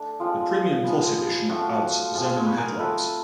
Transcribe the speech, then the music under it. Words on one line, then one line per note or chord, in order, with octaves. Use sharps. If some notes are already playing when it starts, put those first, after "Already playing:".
The Premium Plus edition adds xenon headlamps.
Already playing: A3 D4
F3 G#3 C4 F4
F3 G#3 B3
F3 A3 C4 F4 F#4
F3 G#3 C4 F4
F#4 G#4
B4
G#4 A#4
A3 C4 F4 A4 B4